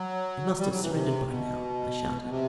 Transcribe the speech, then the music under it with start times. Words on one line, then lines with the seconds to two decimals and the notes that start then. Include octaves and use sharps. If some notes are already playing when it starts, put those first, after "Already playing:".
"It must have surrendered by now," I shouted.
Already playing: F#3
0.58 G3
0.70 F#3
0.82 E3
0.93 C3
1.27 B2
2.22 B2
2.29 C3